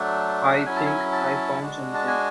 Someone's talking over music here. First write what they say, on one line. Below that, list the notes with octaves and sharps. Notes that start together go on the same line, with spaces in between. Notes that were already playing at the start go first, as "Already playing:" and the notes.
I think I found something.
Already playing: F#3 A3 D4
F#3 C#4 E4 G#5
A5
G#5
A5
G#3 D4 F#4
A5
G#5